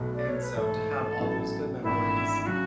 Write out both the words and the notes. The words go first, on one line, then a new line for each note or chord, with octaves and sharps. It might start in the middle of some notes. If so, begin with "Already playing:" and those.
And so, to have all those good memories
Already playing: B1 B2 A3
D5
C#5
B4
G#2 E3 A3 E4 A4
A1 A2 F#3 B3 E4
G#1 G#2 E3 A3 D4 E4
E4
C#3 F#3 F#4